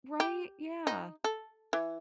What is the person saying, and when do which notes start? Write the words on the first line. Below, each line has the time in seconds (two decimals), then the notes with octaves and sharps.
Right? Yeah,
0.20 G4
0.87 D#4
1.24 A4
1.73 E3